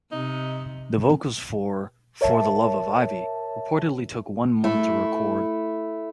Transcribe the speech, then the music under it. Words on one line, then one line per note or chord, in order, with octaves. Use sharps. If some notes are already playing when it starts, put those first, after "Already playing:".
The vocals for "For the Love of Ivy" reportedly took one month to record.
C3 D#4
A#4 C#5 E5 A5
A3 E4